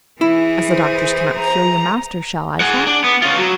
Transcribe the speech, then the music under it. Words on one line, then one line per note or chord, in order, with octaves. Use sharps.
As the doctors cannot cure your master shall I try?'
E3 E4 G#4
C5
A#5
G#4 F#5
D4
B3
C#4 F4
F#3